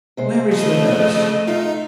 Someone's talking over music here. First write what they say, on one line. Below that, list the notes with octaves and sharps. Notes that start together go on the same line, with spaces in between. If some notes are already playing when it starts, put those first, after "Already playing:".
'Where is the nurse?
C3 G#3 C5
C#3 F3 A3 D#5
D#4 F4 E5